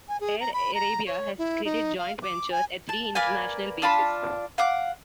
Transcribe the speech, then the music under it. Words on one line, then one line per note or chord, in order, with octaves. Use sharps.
Air Arabia has created joint ventures at three international bases.
G#5
G#4
A#5
B5
A#5
C#5
E4
D#4
F5
D6
G#5
A5
A#3 B4 D5 G#5
D4 F4 A5 B5
F5 F#5 D6